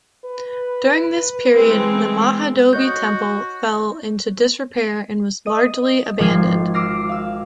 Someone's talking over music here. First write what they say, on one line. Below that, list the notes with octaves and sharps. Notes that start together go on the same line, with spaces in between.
During this period, the Mahabodhi Temple fell into disrepair and was largely abandoned.
B4
E3 G#3 C4
F#4 C#5 D#5 G6
D#5 D#7
G#1 F3 F6 G#6 C7
D6 E6 F6 A#6 C7
F5 E6